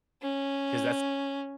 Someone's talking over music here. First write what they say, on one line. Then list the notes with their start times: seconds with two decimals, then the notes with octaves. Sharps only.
'cause that's
0.22 C#4